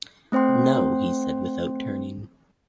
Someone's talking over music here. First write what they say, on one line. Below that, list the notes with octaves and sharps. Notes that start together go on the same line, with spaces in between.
"No," he said without turning.
A3 C4 C5 G5 C6